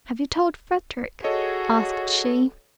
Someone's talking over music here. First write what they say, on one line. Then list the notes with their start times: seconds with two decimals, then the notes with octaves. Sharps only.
'Have you told Frederick?' asked she.
1.24 F#4 G#4 A4 C#5 D#5